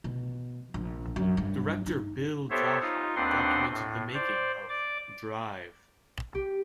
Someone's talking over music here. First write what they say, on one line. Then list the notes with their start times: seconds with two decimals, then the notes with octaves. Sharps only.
Director Bill Draheim documented the making of "Drive".
0.04 B2
0.74 A#1
1.16 F#2
1.37 G2
1.86 D#4
2.50 B3 G4 A4 C5 C#5 E5
2.81 D#4 F4
3.16 D#2 C4 D4 B4 F#5 C6
3.71 A2
4.14 C5 D5
4.69 D5 D6
6.35 G4